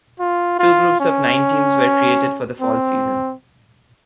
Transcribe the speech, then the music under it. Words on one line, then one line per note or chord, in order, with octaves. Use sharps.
Two groups of nine teams were created for the fall season.
F4
F4
C#4
C4